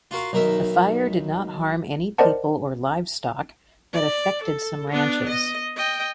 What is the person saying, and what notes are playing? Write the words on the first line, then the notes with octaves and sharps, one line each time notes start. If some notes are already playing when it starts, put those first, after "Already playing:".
The fire did not harm any people or livestock but affected some ranches.
F4 F#4 A#4 F5
B1 D#3 A#4 E5
A#4 C5 D5 D#5 F#5 A5
D5
A4
B3 D4
D#5
D#5 G5